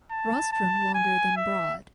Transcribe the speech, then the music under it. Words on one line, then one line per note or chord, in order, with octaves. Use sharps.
Rostrum longer than broad.
A5
A5
G#5
E5